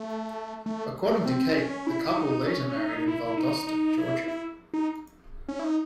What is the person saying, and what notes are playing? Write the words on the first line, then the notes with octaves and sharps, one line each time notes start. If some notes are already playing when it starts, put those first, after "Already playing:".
According to Kate, the couple later married in Valdosta, Georgia.
Already playing: A3
A3
A3
C4
C#4
E4
E4
D#4
C#4
C#4
D#4
E4
D#4
D#4
E4
E4
D#4
C#4
E4
D#4